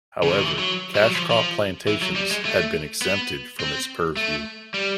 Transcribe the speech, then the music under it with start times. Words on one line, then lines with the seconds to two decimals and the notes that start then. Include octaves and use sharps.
However, cash crop plantations had been exempted from its purview.
0.23 C#3
0.30 D3
0.38 D#3
0.45 E3
0.59 F#3
0.95 G3
1.02 F#3
1.16 F3
1.30 F3
1.88 E3
2.02 F#3
2.16 G3
2.31 G#3
2.45 A3
3.02 B3
3.60 C4
4.17 A3
4.74 G3